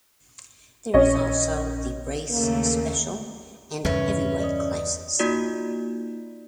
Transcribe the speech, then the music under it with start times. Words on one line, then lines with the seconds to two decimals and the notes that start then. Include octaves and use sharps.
There is also the Race Special and Heavyweight classes.
0.94 A#1 C#4 C#5 D#5
2.30 D#2 C#3 A3 A#3
3.85 E2 G2 C#3 C#4 B4 E5
4.40 D5 D#5 D#6
5.19 A#3 D#4 F4 F#4 D5